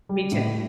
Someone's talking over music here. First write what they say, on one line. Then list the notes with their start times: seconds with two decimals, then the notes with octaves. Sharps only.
Me too.
0.09 G3
0.32 A2